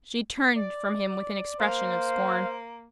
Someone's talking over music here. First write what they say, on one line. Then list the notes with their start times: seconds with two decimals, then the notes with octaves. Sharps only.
She turned from him with an expression of scorn.
0.56 D5
1.60 A#3 C5 F5